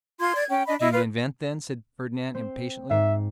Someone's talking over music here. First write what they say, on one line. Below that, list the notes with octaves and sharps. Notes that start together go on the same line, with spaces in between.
"Do you invent, then," said Fernand impatiently.
F4 C6 G#6
D5 G#6
C#4 G5
D4 D#5 B5
E4 D#5
F4 B4
C4 C5
G#2 E5 C7